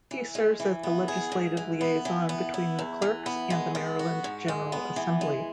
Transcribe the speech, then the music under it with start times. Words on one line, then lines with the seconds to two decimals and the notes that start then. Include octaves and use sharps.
He serves as the legislative liaison between the Clerks and the Maryland General Assembly.
0.11 E3
0.35 G#3
0.60 E3
0.83 B3
1.08 G#4
1.32 G#2
1.57 E3
1.81 B3
2.05 E3
2.29 B3
2.54 E4
2.79 E2
3.02 E3
3.26 B3
3.50 G#3
3.75 B3
3.99 F#4
4.24 G#2
4.48 G#3
4.72 B3
4.96 E3
5.21 G#3